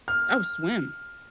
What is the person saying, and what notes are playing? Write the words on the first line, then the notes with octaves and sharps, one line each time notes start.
Oh, swim.
F6